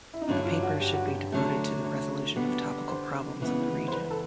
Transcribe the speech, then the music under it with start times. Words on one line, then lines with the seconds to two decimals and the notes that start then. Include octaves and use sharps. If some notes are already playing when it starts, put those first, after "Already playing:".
The papers should be devoted to the resolution of topical problems of the region.
0.14 E4
0.21 D#4
0.28 G2 D3 F#3 D4
0.45 F4
0.63 F#4
0.80 G4
0.93 F#4
1.07 G4
1.32 D3 F#3 A3
1.84 C#5
2.36 D3 G3 B3
2.89 C5
3.40 C#3 E3 G#3 B3
3.88 C5
3.93 B4
4.11 A4